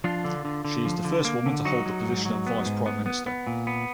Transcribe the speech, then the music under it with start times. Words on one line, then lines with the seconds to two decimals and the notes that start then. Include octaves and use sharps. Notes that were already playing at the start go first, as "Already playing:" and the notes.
She is the first woman to hold the position of Vice Prime Minister.
0.04 F3 D4 F4
0.25 D3
0.45 D3
0.65 D3
0.85 F3
1.05 D3
1.25 A#3
1.46 D3
1.65 F#3 D#4 F#4
1.86 F#3
2.06 G#2
2.25 F#3
2.47 B3
2.66 G#2
2.86 B3
3.06 B3
3.27 B3
3.47 A#2
3.67 B3